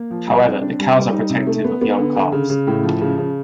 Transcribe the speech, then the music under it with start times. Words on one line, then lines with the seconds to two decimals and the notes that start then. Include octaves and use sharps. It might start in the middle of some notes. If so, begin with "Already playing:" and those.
However, the cows are protective of young calves.
Already playing: A#3
0.11 F3
0.28 G3
0.44 C4
0.61 D4
0.79 G3
0.96 G3
1.13 D#4
1.30 C3
1.47 A3
1.64 B3
1.81 B3
1.98 D3
2.15 D3
2.32 C#3
2.50 C#3
2.67 A2
2.83 F3
3.01 C#3
3.18 C#3